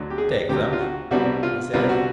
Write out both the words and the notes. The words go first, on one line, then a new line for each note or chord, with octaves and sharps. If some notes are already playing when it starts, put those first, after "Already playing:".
"Take them," he said.
Already playing: D2 D3 F#3
G4
G#4
D2 D3 F#3 G4
F4
F#4
C2 B2 G3 B3 D4 F#4
F4
C2 B2 G3 B3 D4 F4
F#4